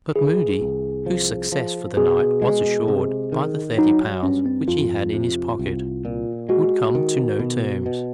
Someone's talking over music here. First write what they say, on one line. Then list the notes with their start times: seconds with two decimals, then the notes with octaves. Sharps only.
But Moody, whose success for the night was assured by the thirty pounds which he had in his pocket, would come to no terms.
0.16 E3 G#4
0.61 C2
1.06 F3
1.52 F3
1.97 B2 G#4
2.42 G#3
2.88 C3
3.32 D#3
3.77 F#3 D#4
4.23 G2 C#4
4.46 C4
4.68 F2 F4
5.14 C3
5.59 C2
6.05 A#2
6.49 G#3 F#4
6.95 D#3
7.39 B2
7.86 B2